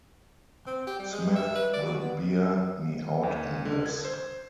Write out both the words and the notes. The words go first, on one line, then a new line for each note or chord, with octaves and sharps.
Smith will bear me out in this.
C4
G4
G3
G#3
E5
B4
D5
F#3
B3
D#2
D3
G#6
C5